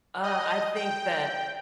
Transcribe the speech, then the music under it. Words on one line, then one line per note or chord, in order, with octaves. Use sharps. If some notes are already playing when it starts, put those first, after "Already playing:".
Uh, I think that
D#5
G5